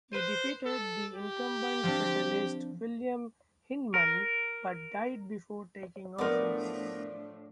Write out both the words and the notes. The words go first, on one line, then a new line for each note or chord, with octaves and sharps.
He defeated the incumbent Federalist, William Hindman but died before taking office.
B4 C5 D#7
A4
G4
F3 C4 D4
A#4
A2 F3 A3 B3 D4 A#4 D5